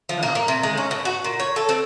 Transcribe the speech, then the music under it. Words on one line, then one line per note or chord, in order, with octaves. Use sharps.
Oh, no.
F3
A#3
A#3
C3
G#3
C#4
B2
F#4
A#2
C#5
A4
C4